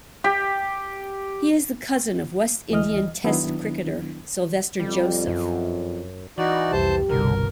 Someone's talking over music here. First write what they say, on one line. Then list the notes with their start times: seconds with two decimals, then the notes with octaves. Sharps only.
He is the cousin of West Indian Test cricketer Sylvester Joseph.
0.24 G4
2.71 D2 E3 D#5 F6
3.24 D#3 F#3 B3 D4 E4
4.80 F2 G3
5.27 F#2
6.38 E3 D#4 F#4 D5
6.72 C2 F2 G4 C5 A5
7.09 G1 C2 B2 D3 A#4